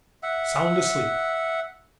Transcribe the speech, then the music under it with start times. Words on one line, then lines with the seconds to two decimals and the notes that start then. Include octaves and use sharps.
Sound asleep!
0.23 E5 F#5